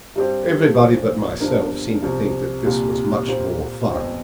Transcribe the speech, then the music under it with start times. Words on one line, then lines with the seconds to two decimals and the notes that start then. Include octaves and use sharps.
Everybody but myself seemed to think that this was much more fun.
0.16 G2 G3 C4 G4
0.78 A#1 A#2 F3
1.40 G1 G2 F3 D4 A#4
2.02 C2 C3 F3
2.64 C2 A#2 G3 A#3 F4
3.27 A#2 A#3 G4 C5
3.89 G1 F2 F3